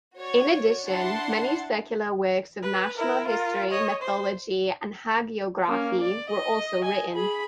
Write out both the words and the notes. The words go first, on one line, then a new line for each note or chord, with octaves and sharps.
In addition, many secular works of national history, mythology, and hagiography were also written.
F#4 C#5 D5
D4 E4 F#5 A5 C6
B4
E4 A#4
F4 A#4
C#5 D#5
C5
A#3 C#4
D5
D#5
D#5 G#5
G#4 B5